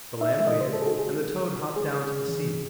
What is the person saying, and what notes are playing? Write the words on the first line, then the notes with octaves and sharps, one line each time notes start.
The lamb waited and the toad hopped down to the sea.
D#4 E5
G#3 E5
D#5
C#3 C5
C#3 A4
G#4
D#4 F#4
G#4
G#3
C#3
C#3
D#4
G#3 G#4
C#3
C#3
E3
C3